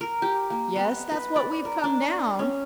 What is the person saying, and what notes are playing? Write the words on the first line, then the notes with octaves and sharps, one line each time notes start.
"Yes; that's what we've come down."
A#4
G4
A#3
B3
B4
D5
A#4
D4
C#4